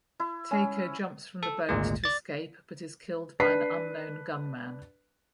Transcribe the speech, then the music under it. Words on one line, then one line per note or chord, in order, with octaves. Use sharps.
Taeko jumps from the boat to escape but is killed by an unknown gunman.
E4
C#4
A4
G#1 D2 A#2 G#3
D5 A6
D4 B4 B6 C7